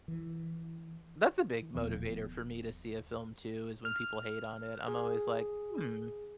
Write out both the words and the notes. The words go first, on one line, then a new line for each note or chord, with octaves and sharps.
That's a big motivator for me to see a film, too, is when people hate on it, I'm always like, "Hmm,
E3
D#1 F3 B3
F6
G#4